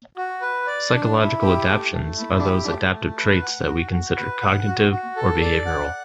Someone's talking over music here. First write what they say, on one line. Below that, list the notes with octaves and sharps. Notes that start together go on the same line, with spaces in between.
Psychological adaptions are those adaptive traits that we consider cognitive or behavioral.
F#4
B4
D5
D4
E4
G4
A3
A3
E4
G4
A3
A3
B4
F#5
F#4
F#4
B4
F#5
F#4
F#4
A4
D5
F#5